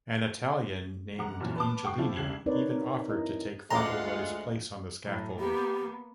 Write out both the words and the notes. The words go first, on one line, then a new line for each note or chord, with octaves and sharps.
An Italian named Angelini even offered to take Fauntleroy's place on the scaffold.
F1 F#5 A#5 D6 F7
F#2 A#2 E3 F3 F#4 F6
B4 A5 D6
C#2 F#5 G5 C#6 D6 C7
F3 E4 F4
G1 C2 C#3 G#6 C7 F#7
C4 D#4 A#4 B4 C#5 D5
E4 A#4 D#5
D2 G#3 F4 F5 F#5 A#5 C6 D6
A2 F#3
A#3 B3 G4